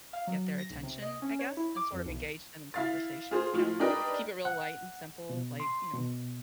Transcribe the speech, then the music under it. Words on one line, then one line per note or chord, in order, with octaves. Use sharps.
get their attention, I guess, and sort of engage them in conversation, you know. Keep it real light and simple, like, you know,
F5
F#3
A#6
B1
C3
D#5
C#4
C#5
E4
D6
F2
B1
E4 F5 A6
F4 G#4 C5
A2 F3 F4
D4 D#4 G4 A#4 B4
F#5
B2
C6
B2